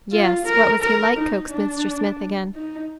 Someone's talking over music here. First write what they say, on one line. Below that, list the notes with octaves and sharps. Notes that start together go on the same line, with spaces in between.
"Yes, what was he like?" coaxed Mr. Smith again.
F4
A#4
A#4
D#4
D4
D#4